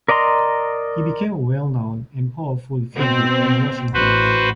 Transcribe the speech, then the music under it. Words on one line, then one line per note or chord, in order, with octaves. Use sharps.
He became a well-known and powerful figure in Washington.
A#4 D5 D#5 A#5 C6
B2 C4
A1 F#4 B4 C5